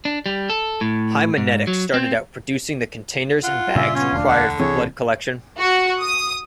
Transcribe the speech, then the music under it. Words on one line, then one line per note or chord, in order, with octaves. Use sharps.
Haemonetics started out producing the containers and bags required for blood collection.
D4
G3
A4
A2
G#2
F#3
C4
F4 F#5
G2 A#2 C#3 D5 E5 F5 G#5
B3 C#4 G#5
E1 D2 D4 F5
D3 F#5
C2 E3 C4 G#4 C#5
F#4
D#6